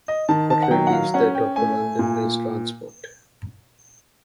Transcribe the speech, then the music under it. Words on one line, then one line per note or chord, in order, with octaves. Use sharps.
Her trade is that of a London-based transport.
D#5
D#3 A5
A5
F#5
F#3 G5
F#5
F5
C#4 F#5
G5
A3 G#5
A#2